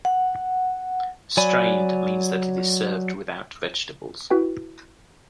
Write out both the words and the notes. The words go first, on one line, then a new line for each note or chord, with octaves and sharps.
"Strained" means that it is served without vegetables.
F#5
F#3 D5 G#5 B5
E4 F#4 B4 G5